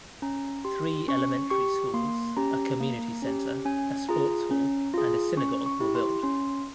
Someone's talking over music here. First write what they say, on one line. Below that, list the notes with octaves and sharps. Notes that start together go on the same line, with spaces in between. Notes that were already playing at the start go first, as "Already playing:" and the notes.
Three elementary schools, a community center, a sports hall, and a synagogue were built.
C#4 A#5
G4 C6
C#4 C#6
G4 C#6
A#3 C6
C#4 G4 A#5
A#3
C#4 G4
C#4 G#5
F4 G#4 A#5
C#4
F4 G#4
C#4 C#6
C#6
E4 G4
C6
C#4 C6